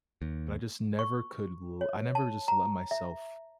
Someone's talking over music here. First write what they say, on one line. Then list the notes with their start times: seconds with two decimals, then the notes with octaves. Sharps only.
but I just never could l I never just let myself
0.22 D#2
0.99 C#6
1.81 C#5
2.15 A5
2.48 A#5
2.91 E5